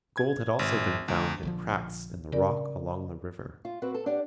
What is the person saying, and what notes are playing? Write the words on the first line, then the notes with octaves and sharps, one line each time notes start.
Gold had also been found in cracks in the rock along the river.
G#6
G#1
D2
A#1 D3 F3
C#3 A#4 D5
F4
C4 F#4 B4
A4
D4 G4 D5 F#5